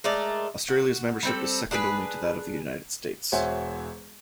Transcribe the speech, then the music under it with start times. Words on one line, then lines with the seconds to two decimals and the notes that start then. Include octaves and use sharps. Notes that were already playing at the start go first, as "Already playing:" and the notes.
Australia's membership is second only to that of the United States.
0.04 G#3 A3 A#4 D5
0.68 F#4
1.23 G3 C4 A4
1.71 D4 G#4 A4 B4
3.32 E1 F#4 C5 C#5 E5 G#5